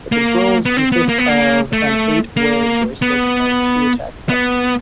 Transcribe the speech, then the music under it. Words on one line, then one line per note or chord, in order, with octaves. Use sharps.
The controls consists of an eight way joystick and two attack buttons.
A#3
B3
C4
B3
A#3
B3
A#3
A3
A#3
B3
B3